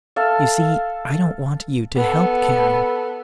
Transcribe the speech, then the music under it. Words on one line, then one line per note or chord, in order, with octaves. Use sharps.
"You see--I don't want you to help caring."
A4 E5 F5
B3 A4